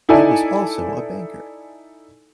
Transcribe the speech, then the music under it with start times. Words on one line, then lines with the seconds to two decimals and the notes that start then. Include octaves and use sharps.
He was also a banker.
0.09 D#4 E4 A4 D5 G#5